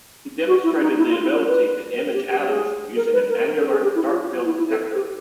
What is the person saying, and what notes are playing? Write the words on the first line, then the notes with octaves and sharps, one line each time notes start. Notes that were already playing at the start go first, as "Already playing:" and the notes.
He demonstrated the ability to image atoms using an annular dark field detector.
F#4
E4
D#4
E4
F4
E4
A#4
B4
B4
A#4
G4
G4
G#4
A#4
B4
A#4
A#4
A4
G#4
G4
E4
F4
E4
E4
A4
G4